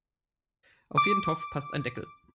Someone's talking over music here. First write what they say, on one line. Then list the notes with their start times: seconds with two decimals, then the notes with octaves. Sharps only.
Auf jeden Topf passt ein Deckel.
0.97 D6